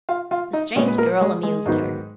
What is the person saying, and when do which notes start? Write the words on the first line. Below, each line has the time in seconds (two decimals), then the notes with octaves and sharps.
The strange girl amused her.
0.09 F4 F5
0.31 F4 F5
0.53 D#4 D#5
0.76 A#2 G#3 B3 C#4 C#5
0.88 B4
0.98 A#3 A#4
1.20 G#3 G#4
1.43 G#3 G#4
1.66 G#2 D#3 F#3 B3 D#4